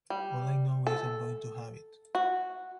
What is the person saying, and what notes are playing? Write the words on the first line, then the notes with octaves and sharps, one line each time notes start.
All I know is, I'm going to have it.
G3
A4
F#4